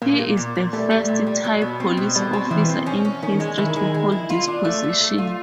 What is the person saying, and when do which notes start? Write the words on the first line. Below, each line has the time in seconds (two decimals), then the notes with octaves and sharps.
He is the first Thai police officer in history to hold this position.
0.02 A#2 A#3
0.19 A#2
0.37 A#2
0.55 A#2
0.73 G3 A3
0.91 G3
1.08 A#2
1.27 G3
1.44 F#3
1.62 B2
1.80 C4
1.97 B2
2.15 B2 G3
2.33 C4
2.51 B2 E3
2.69 C4
2.86 C#4
3.05 C#4
3.23 D#3 C#4
3.40 G#3
3.58 D#3 E4
3.76 G#3
3.94 G#3
4.12 E4
4.30 F4
4.47 D4
4.65 A3
4.83 A3
5.01 A3
5.18 F4